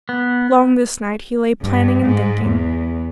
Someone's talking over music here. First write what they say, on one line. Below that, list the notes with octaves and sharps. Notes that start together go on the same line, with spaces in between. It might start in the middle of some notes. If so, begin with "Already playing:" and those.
Long this night he lay planning and thinking.
B3
G2
G#2
E2